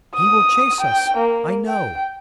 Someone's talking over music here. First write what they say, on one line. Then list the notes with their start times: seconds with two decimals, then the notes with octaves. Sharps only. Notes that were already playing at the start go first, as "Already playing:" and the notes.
He will chase us, I know.
0.16 D#6
0.81 G5
1.17 A#3
1.68 G5